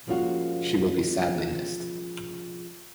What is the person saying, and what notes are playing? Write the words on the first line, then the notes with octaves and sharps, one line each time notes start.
She will be sadly missed.
F3 G#3 A#3 C#4 F4 F#4